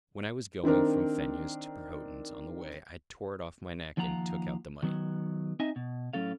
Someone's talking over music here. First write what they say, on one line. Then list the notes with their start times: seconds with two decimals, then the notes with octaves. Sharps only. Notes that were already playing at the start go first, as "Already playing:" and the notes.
"When I was going from Fenya's to Perhotin's, on the way I tore it off my neck and took out the money."
0.63 D#3 C4 D4 A#4
3.97 D#2 F3 F4 F#5 A#5
4.83 D#3 F#3 B3
5.59 C4 D#4 D#5 E5 G#5
5.76 B2
6.13 A2 F#3 C#4 A4 F5